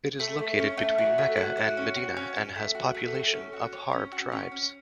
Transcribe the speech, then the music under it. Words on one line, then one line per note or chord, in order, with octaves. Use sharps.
It is located between Mecca and Medina and has population of Harb tribes.
A3
A3
C#4
A3
F#4
A3
F#4
F#4
C#4
F#4
C#4
C#4
A3
F#4
A3
A3
C#4
F#4
C#5
C#4
F#4
C#4
C#4